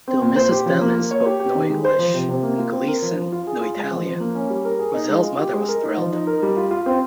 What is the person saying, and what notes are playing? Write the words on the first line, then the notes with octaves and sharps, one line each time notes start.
Though Mrs. Belline spoke no English and Gleason no Italian, Roselle's mother was thrilled.
C4
A#2
C5
G4
F3
A#3
A#3
C#5
G4
G4
D#3
G#3
C5
F3
C3
C3
A#3
F4
C4
A#4
F3
F3
F4
G#4
F4
G#3
F3
F3
A#3
C#4
G3
A#4
G#4
D#4
G#3
F4
G4
G#3
A#4
D#4
F3
D#4
A#4
G3
F4
F4
C4